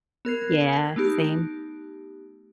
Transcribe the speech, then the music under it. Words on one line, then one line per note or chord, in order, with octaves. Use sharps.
Yeah, same.
B3 A#4 G#6 C7
A3 B3 D#4 G4